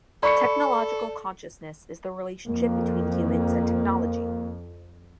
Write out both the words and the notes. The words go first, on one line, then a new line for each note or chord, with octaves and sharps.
Technological consciousness is the relationship between humans and technology.
A4 D5 B5 C#6 C#7
F2 A#3